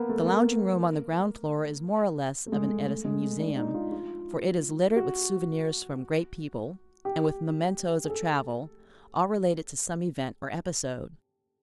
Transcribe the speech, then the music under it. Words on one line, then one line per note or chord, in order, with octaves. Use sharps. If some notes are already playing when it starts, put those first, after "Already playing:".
The lounging-room on the ground floor is more or less of an Edison museum, for it is littered with souvenirs from great people, and with mementos of travel, all related to some event or episode.
Already playing: A#3 B3
A3
A#3
A3
G#3
A3
A3
G#3
A3
D4
D#4
F4
F4
F#4
G4
G#4
A4